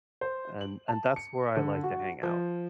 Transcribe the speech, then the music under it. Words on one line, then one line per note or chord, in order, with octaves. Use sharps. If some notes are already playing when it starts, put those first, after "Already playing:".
And and that's where I like to hang out,
C5
F#7
A5
C#7
D3
F#4
F3